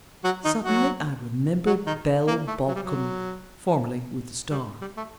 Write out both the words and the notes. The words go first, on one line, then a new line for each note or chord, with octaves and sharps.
Suddenly I remembered Belle Balcom, formerly with the Star.
F#3 F#4
D#3 D#4
F#3 F#4
F#3 F#4
D#3 D#4
A#3
A3
F#3
G3
F#3
G3
G3
A3